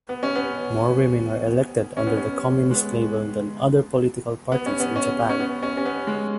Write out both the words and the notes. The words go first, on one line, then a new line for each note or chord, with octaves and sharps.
More women are elected under the Communist label than other political parties in Japan.
B3
C#4
B3
C#4
B3
C#4
G#3
B3
B3
C#4
B3
C#4
C#4
B3
C#4
C#4
B3
G#3